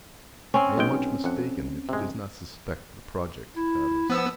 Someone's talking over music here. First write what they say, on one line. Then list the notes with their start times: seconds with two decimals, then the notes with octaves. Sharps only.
"I am much mistaken if he does not suspect the projects of Hatteras."
0.54 C4 C#4
0.78 B1 G#3 G5
1.24 F2 F#5
1.89 C3 G#3
3.56 E4
4.10 F3 B3 E6